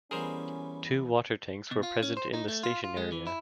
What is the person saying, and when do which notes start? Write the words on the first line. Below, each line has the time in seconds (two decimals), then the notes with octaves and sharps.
Two water tanks were present in the station area.
0.11 E3 G3 B3 C#4 G#4 A#4 C5
1.71 B2
1.83 F4
2.03 C#4
2.17 C5
2.33 D#4
2.48 A3
2.63 F4
2.84 F4
2.97 G#3
3.12 E3
3.27 E4